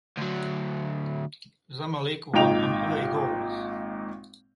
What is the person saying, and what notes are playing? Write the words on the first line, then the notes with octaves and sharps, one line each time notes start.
Zamalek won on away goals.
D2 F#3
G#1 A#2 D#4 G5 F7